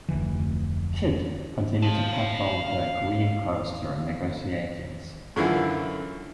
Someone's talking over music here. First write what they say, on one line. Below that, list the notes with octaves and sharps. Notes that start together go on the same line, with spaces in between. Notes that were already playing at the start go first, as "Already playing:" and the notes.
"Kidd" continued to patrol the Korean coast during negotiations.
F1 D2 E3
F5 A5
F#2 D3 E3 F4